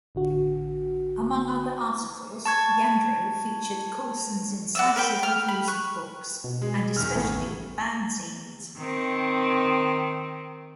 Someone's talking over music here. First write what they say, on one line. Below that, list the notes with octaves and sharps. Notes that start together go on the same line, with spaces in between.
Among other articles, Yandro featured Coulson's incisive reviews of books and, especially, fanzines.
A1 D3 F#4
A5 C#6 G#6
F#4 D5 E6
A#4 B4 G5
G5 F6
B5
C#6 F#6
B2
G#3
E2 D#3 F6
A1 A2 C#3 E3 A3 B3
D#3 C4